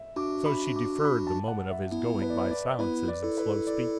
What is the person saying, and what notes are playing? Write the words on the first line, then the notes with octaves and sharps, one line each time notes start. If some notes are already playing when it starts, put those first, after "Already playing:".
So she deferred the moment of his going by silences and slow speech.
Already playing: E5
D4 F#4 D6
B5
D6
B5
A5
F#5
E5
B3 E4
B4
D5
B4
D5
B3 E4 B4
D5
E4 A4
B4
D5